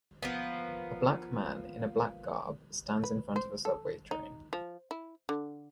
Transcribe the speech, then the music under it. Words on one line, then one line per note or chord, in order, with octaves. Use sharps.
A black man in a black garb stands in front of a subway train.
F3 A#3 B3
B4
C5
A4
D#4
F3
E4
D3